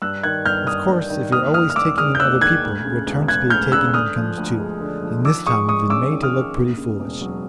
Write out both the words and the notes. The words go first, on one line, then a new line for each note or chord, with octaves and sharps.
Of course, if you are always taking in other people, your turn to be taken in comes too, and this time you've been made to look pretty foolish.'
G2 E6 F#6
D#3 F#6 G#6
G1 F6 G6
G1 D#6 F6
G2
D#3
D#2 D#6 F6
D#3 D#6 F6
F6
E1 D6 E6
G#3 D#6 F6
G6
D#2 E6 F#6
D#3 F#6 G#6
D2
C#3
E1
E1 F#6 G#6
D2 F6 G6
C#3 E6 F#6
D3 D#6 F6
F3
D2
G#3
D3
F3
D#3 D6 E6
G#3 C#6 D#6
G#2 C#6 D#6
C#4 D6 E6
D#3
D#6 F6
G#3
D#2
C#3
E1
F#3